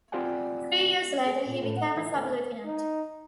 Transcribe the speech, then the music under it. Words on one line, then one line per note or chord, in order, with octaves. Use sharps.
Three years later he became a Sub Lieutenant.
C4 F4 G4 D5 F#5 G#5
G#4
A#2
A2
F#5
E3
D2
D#4